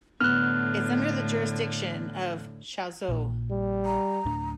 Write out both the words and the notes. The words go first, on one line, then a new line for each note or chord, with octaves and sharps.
It is under the jurisdiction of Chaozhou.
A2 D3 B3 F6 F#6
A#1 A#2
G3
A#5
D1 A2 D4